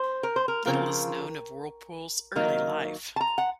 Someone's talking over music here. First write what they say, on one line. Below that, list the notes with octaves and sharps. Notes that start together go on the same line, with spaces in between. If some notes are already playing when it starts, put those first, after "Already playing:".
Little is known of Whirlpool's early life.
Already playing: C5
A#4
C5
A#4
C#3 F3 C4 F4 A#4
D#3 F#3 A#3 D#4 A#4
A5
A#5
F#5